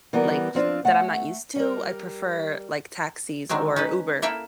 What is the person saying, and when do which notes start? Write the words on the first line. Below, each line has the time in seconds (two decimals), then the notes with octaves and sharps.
like that I'm not used to, I prefer, like, taxis or Uber,
0.13 E3 G3 B3 A#4
0.55 F3 C4 D4 F4
0.85 A3 F#5
1.56 G3 A#4
3.49 D3 D#3 F#3 G#3 C4
3.76 C#4 D#4 B4
4.22 A#3 E4 A4 E5 F5 G5